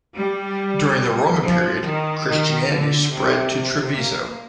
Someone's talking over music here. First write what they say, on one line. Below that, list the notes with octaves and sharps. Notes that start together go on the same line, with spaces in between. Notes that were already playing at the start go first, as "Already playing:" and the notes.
During the Roman Period, Christianity spread to Treviso.
G3
F3
D#3
D#3
D3
C3
C3
A#3